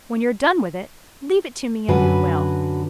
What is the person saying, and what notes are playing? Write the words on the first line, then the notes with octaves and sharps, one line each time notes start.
When you're done with it, leave it to me in your will.
F#2 D3 F#4 B4 G#5